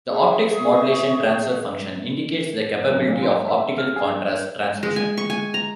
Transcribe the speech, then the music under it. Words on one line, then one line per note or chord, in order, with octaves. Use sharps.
In optics, modulation transfer function indicates the capability of optical contrast transmission.
G#4 E5 C#6
D1
A#2
C6
E5
F6
G#4
G#3
G#5
C#6
G#5
A#5